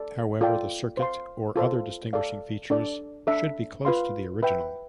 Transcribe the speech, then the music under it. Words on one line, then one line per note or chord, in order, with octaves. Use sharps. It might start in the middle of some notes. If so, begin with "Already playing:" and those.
However, the circuit or other distinguishing features should be close to the original.
Already playing: A4 D5
F4 A4 D5 G5
C5 F5 C6
F4 A4 C5 F5
A4 D5 F5
D4 A4 D5
D4 A4 E5
F4 B4 F5 C6
B4 E5 G5